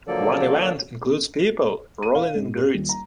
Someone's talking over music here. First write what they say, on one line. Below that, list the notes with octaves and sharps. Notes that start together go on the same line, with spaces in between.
One event includes people rolling in grits.
D3 F3 F#3 A#3 A4 D5
D#7
F5
G#2
G4
D#1
A#5